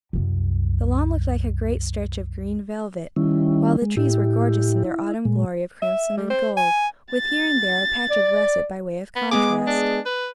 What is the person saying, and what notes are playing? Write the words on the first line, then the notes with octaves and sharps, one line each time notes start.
The lawn looked like a great stretch of green velvet, while the trees were gorgeous in their autumn glory of crimson and gold, with here and there a patch of russet by way of contrast.
C2 F#2
D#3 G3 C#4 E4
G#3
A2 E4 G4
E4
A#2 G#3
E5
G3
C5
G#5
A6
D5
B3
G#3 B3 G#4 D6
D4
B4